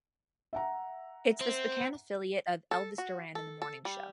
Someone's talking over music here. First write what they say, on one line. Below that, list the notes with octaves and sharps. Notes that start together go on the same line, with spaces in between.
It is the Spokane affiliate of "Elvis Duran and the Morning Show".
E5 F#5 A#5
C4
A4
F#4
A4
A4
G3